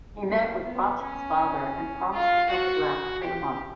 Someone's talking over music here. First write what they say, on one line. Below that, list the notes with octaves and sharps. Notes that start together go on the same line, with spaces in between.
He met with Rati's father and promised the film would wrap in a month.
A#3
B3
C#4
F4
F#4
G4